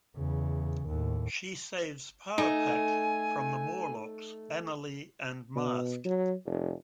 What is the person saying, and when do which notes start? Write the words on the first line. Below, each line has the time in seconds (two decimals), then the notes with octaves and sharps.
She saves Power Pack from the Morlocks Annalee and Masque.
0.17 E2 C#3
0.86 D#2 A2
2.38 A3 D#4 G#5
5.55 B2
6.05 F#3
6.46 F1